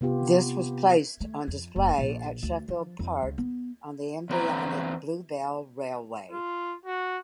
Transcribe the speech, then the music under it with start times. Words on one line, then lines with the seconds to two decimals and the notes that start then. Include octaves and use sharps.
This was placed on display at Sheffield Park on the embryonic Bluebell Railway.
0.01 C3 B3 F4 G4
1.20 A3
1.48 F2
1.76 F#1
1.98 A#1
2.43 D2
2.68 F3
2.99 F2
3.23 C#2
3.38 B3
4.30 E2 C4 B4 A#5
6.31 F4
6.85 F#4